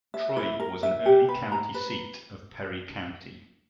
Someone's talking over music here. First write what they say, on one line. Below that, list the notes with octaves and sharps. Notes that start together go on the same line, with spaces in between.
Troy was an early county seat of Perry County.
E5
E4
A#4
E5
G4
B4
A#5
B4